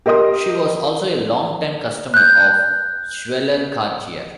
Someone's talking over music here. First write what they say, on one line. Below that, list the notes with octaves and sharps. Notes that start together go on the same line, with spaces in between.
She was also a longtime customer of jeweller Cartier.
G4 A#4 D#5 C6 D#6
F#6 G6